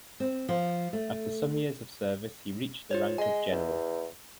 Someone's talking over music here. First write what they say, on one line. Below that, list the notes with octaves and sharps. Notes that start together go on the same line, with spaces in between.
After some years of service, he reached the rank of general.
C4
F3
A3
F4 C5 C#5
G#3 D#5 G#5
E2